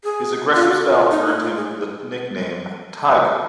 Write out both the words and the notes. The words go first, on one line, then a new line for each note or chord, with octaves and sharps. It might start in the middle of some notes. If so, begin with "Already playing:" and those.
His aggressive style earned him the nickname Tiger.
G#4
F4
F#4
F#4
F4
D#4
D#4
F4
G#4